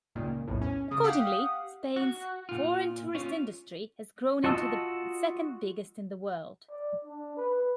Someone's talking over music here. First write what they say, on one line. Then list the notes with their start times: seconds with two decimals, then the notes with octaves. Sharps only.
Accordingly, Spain's foreign tourist industry has grown into the second-biggest in the world.
0.15 C#2 A#2 D#3
0.48 B1 E2 A2
0.61 C#4
0.91 C#3 D#6
1.04 G4 F5 F#5
1.96 F#4
2.49 A#2 F4
3.15 C#4 F4
4.44 F4 F#4 D#5 A5 E6
6.70 D5
7.05 D4
7.37 B4